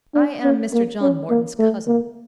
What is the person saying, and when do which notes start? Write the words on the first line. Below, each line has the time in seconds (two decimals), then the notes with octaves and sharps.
"I am Mr. John Morton's cousin."
0.15 D4
0.43 C#4
0.73 A#3
1.02 C#4
1.30 A#3
1.59 A3
1.88 A#3